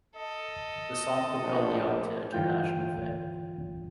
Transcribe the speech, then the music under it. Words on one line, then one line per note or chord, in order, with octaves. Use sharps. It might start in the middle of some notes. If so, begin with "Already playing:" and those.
The song propelled Young to international fame.
A4 D#5
A#1
G2 D3 E3 F4 G5 G6